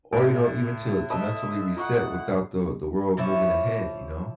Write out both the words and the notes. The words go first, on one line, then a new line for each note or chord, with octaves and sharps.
or, you know, even to to mentally reset without the the world moving ahead, you know?
A2 E5 G#5
D#5 E5 A5 B5
F4 F#5 C#6
E3 F3 E4 C#5